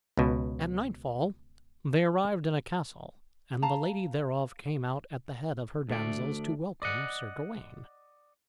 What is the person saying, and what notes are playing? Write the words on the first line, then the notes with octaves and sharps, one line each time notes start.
At nightfall they arrived at a castle and the lady thereof came out at the head of her damsels to welcome Sir Gawain.
C#2 B2
F5 A5 A#5
D2 A3 D5
D5 D#5 F#5